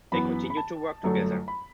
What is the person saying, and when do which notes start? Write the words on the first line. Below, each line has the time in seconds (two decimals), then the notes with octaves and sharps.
They continue to work together.
0.12 F#2 E3 B3 B5
0.50 B5
0.57 A5
1.03 G1 F#2 F#3 A3
1.48 B5